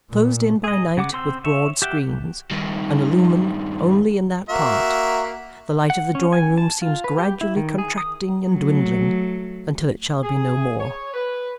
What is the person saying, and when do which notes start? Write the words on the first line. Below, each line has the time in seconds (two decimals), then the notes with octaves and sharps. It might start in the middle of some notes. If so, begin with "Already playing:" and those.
Closed in by night with broad screens, and illumined only in that part, the light of the drawing-room seems gradually contracting and dwindling until it shall be no more.
0.10 A#2
0.64 G#4 D#5
0.97 C#3 F#5 D6
1.13 C4 C6 E6
1.44 C#5 E5
1.82 G4 E5 F#5 G5
2.51 G2 D#3
4.49 A#3 F#4 E5
5.90 F#5
6.15 C#4
6.33 G#5
6.58 A5
6.82 F4
7.04 B4
7.18 G4
7.41 E4
7.56 D#3
7.78 G#4
7.98 D#6
8.50 F#3 A3
10.23 G#4
10.80 C#5
11.14 B4